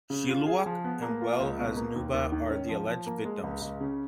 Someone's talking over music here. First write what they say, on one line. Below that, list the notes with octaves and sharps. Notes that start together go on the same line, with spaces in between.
Shilluk and well as Nuba are the alleged victims.
C#3
F4
G#4
F3
B3
A#3
F4
C#2
B2
A#3
D#2
D#2
D#3
C#4
F3
F3
A#3
G#3
C#2
C#2
C#3